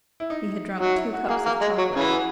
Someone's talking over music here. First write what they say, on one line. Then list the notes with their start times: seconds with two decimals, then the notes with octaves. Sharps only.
He had drunk two cups of chocolate.
0.20 E4
0.30 D#4
0.80 F#3 D#4
0.96 E4
1.13 F#4
1.28 A#3 G#4
1.46 A#3
1.61 G#3
1.78 F#3
1.95 C#3 E3 G#4
2.03 F#4
2.11 G#4